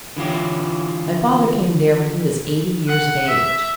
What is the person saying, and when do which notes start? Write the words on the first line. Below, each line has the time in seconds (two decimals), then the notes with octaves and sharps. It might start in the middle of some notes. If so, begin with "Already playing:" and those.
My father came there when he was eighty years of age.
0.17 D3 E3 F4 G4
2.88 F#5
3.28 E5